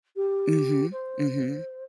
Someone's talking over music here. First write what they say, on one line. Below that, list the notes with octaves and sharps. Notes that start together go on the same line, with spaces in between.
Mhm, mhm.
G4
C5